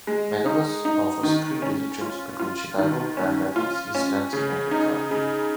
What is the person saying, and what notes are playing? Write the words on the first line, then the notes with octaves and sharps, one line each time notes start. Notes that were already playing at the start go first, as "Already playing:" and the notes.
Megabus offers three daily trips between Chicago, Grand Rapids, East Lansing, and Detroit.
G#3
D#4
D#4
D#3
C#4
F4
F4
D#3
C#4
F4
C#4
C#3
D#4
C#3